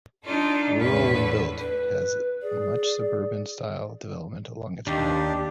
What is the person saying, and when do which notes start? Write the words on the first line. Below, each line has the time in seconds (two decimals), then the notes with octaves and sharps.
Rural when built, it has much suburban-style development along its route.
0.24 D4 D#4 F4 A4
0.78 E2 A2 D3 B4 E5
1.58 B4
2.42 G#4 D5
4.87 D#2 D4 G4